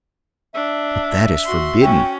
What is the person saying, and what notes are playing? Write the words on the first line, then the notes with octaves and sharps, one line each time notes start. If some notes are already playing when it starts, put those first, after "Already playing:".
But that is forbidden!
D4 E5
F#4 C6
C#4 F#4 G5